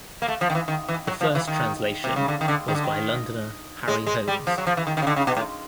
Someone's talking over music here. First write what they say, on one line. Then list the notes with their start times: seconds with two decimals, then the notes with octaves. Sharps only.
The first translation was by Londoner Harry Holmes.
0.22 A#3
0.28 A3
0.41 F3
0.50 D#3
0.55 E3
0.68 D#3
0.88 E3
1.07 F#3
1.21 F3
1.35 E3
1.47 D#3
2.04 C3
2.16 C#3
2.28 D3
2.41 D#3
2.48 D3
2.68 D#3
2.75 D3
2.84 D#3
3.88 G#3
4.07 G#3
4.28 G3
4.47 F3
4.58 F#3
4.67 F3
4.77 E3
4.87 D#3
4.97 D#3
5.02 C#3
5.07 D3
5.16 C#3
5.27 B2
5.37 A2